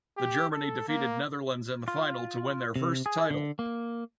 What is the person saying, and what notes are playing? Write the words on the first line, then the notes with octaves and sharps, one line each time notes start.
The Germany defeated Netherlands in the final to win their first title.
G4
A4
A#3
F4
C3
G#4
D3
A#3